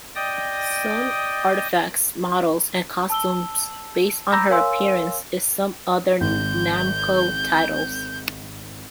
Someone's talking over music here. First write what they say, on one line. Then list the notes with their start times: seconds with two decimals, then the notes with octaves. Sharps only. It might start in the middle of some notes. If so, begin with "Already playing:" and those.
Some artifacts, models and costumes based on her appeared in some other Namco titles.
0.15 D5 D#5 G5 D#6
3.10 A5 E6 G7
4.32 A#5 B5 D6 E6 G6 A#6
4.50 A#4 C#5 F5 G#5 C6 E6
6.21 G#1 G6